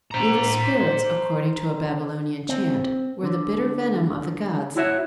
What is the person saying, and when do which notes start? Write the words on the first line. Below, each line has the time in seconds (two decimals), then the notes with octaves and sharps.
"Evil spirits", according to a Babylonian chant, were "the bitter venom of the gods".
0.11 C5 A#5
2.49 C4
3.23 D3
4.76 E4 F#4 C#5 E5